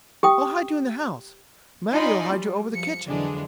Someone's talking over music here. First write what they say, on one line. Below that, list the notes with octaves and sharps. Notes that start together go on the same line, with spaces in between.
I'll hide you in the house--Matty'll hide you over the kitchen.
G4 G5 D#6
D#4 F4 D5 G#5 B5 C6
F#3 G3
F3 C#7
F2 D3 E3 F#3 G#3 D4